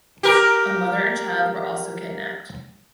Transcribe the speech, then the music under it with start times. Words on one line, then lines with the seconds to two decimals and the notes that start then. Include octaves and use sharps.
A mother and child were also kidnapped.
0.23 G4 A#4